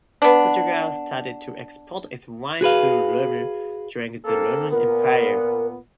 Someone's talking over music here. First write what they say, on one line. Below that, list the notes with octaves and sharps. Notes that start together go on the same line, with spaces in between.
Portugal started to export its wines to Rome during the Roman Empire.
B3 D4
F#4 G#4 B4 F5
A#3 C4 A4
A#2 B3 A#4